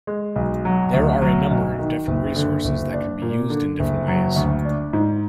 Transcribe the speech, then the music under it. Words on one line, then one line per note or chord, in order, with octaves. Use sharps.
There are a number of different resources that can be used in different ways.
G#3
B1
F#3
D2
F#3
B1
D#3
F#1
D3
F#1
D4
A#2
D3
F#1
F#3
D2
D4
G#2